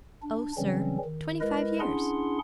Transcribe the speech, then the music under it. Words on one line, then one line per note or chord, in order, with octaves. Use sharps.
"Oh, sir, twenty-five years."
D4
C#3 E3 F#3 G3 C4 C#4
D#3
G#3 E4 A#4 B4 D#5
C#4 D4 E4 G#4 F#5 C6